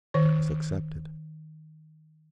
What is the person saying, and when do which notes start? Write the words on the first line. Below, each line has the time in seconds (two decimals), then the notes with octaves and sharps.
It was accepted.
0.14 D#3 C#5